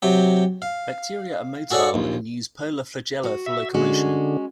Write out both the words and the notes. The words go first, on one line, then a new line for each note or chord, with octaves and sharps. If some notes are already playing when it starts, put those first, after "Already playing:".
Bacteria are motile, and use polar flagella for locomotion.
C3 F#3 G4
F5
F#4 G#4 A4 C#5 D5 F#5
A#1 D#2
F#4
E5
D3 G#3 C#4 F#4